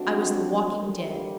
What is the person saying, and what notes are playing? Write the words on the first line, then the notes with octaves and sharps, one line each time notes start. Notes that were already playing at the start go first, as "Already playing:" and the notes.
I was the walking dead.
Already playing: D#3 F#3 A3 C4 D4 F#4
D3 G3 A#3